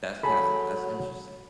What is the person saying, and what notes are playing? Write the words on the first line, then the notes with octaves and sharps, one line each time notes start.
That's kinda that's interesting.
F#3 G#4 A4 B5